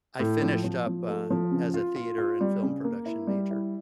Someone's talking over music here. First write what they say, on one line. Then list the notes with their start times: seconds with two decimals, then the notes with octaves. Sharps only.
I finished up, uh, as a theater and film production major.
0.19 A2
0.42 F3
0.64 F3
0.87 F3
1.07 A3
1.30 F3
1.51 C#3
1.74 F4
1.96 F4
2.18 F4
2.41 G3
2.62 C#3
2.84 A#3
3.06 E4
3.27 G3
3.50 E4